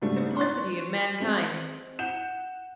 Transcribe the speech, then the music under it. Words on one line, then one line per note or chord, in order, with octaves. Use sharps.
Simplicity of mankind!
G#2 C#3 G3 A3 D4
C6 C#6 F#6 A6
G#3 C4
F#5 G6 E7